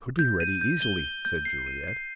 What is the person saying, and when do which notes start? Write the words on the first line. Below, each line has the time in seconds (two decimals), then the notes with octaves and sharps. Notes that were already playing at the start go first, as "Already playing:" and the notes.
"I could be ready, easily," said Juliet.
0.19 G6
0.40 D#7
0.61 G6
0.82 G7
1.04 G7
1.25 G6
1.45 C7
1.66 D#7
1.88 C7